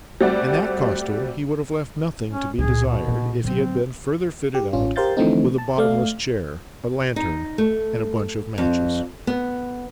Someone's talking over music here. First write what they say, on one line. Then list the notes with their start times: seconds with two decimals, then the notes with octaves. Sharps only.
In that costume he would have left nothing to be desired, if he had been further fitted out with a bottomless chair, a lantern, and a bunch of matches.
0.21 G3 A3 C4 F#4 D5
2.31 C#4
2.59 C#2 A#2 D#4 G#4
2.85 B2
3.08 A#2 C4 D#4
3.44 D3 F#3 C4
4.55 G4
4.73 A1 C#4 F4
4.96 G4 A#4 C5 F5 G6 A6
5.17 D3 E3 F3 A3 C4 D#4
5.58 A5
5.78 A3 D5 F5
7.16 D#4
7.58 A3
8.58 F2
9.27 B3